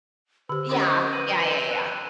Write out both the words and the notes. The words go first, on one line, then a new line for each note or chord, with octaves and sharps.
Yeah. Yeah, yeah, yeah.
D3 G4 C5 E6
C#4 A#4 D#5 C6 D6
B4 G6 D#7 F#7
C4
G5 F#6